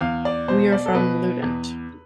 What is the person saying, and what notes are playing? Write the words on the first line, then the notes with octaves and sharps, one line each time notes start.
We are from Lludient.
E2 F5
D5
B2 C5
D5
A4
B2 B4
E2